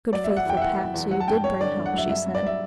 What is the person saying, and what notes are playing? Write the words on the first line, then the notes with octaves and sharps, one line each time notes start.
"Good faithful Pat, so you did bring help," she said.
F#3 D5
E5
F#3
F#5
E2 G5
E5
E2 F#5
F#3
E2
F#3 F#5
A5
G2 G5
G2 C#5
D3 D5
G2
F#5
F#3 E5
G2 E5
G2
D5
F#3 E5